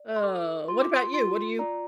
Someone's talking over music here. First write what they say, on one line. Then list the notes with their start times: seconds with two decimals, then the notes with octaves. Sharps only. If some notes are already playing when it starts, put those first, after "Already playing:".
Uh, what about you? What do you
Already playing: D5
0.16 C6
0.23 A4 D6
0.68 F4 C6
0.82 D6
0.95 C6
1.14 F4 C6
1.59 D5 A#5